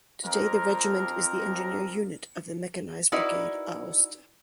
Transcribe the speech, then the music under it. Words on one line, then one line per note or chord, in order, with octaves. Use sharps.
Today the regiment is the engineer unit of the Mechanized Brigade "Aosta".
F2 A#4
D#4 E4 F#4 A#4 B4 D5